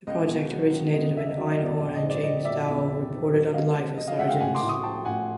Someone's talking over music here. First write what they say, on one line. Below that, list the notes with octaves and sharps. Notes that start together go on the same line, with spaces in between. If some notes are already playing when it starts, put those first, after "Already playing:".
The project originated when Einhorn and James Dao reported on the life of Sgt.
C#2 D#5
B2
F#3
C#2
E2 D#5
D#5
C#3 E5
D#5
F#3 D5 E5
D#5
E2
D5
A#1 D5
D#5
G#2
D5
F3 D#5
A#1 D5 E5
E2
C3
D#3
F#3
C#2 D#5 F5
C3
F3 D#5
D#5 F5
C#2 E5 F#5
F5 G5
A1 F#5 G#5
C6 D6
A2
C#6 D#6
F3 G5 A5
A1 F#5 G#5